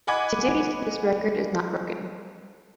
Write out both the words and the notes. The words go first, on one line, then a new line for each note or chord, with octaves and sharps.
To date, this record is not broken.
D#5 F#5 G#5 B5 D6 G#6